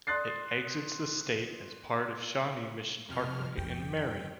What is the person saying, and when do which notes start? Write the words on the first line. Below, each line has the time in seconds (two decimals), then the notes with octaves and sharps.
It exits the state as part of Shawnee Mission Parkway in Merriam.
0.07 D5 C6 D#6 F#6 A6 C7
3.09 F2 C3 F6
3.57 F2 G5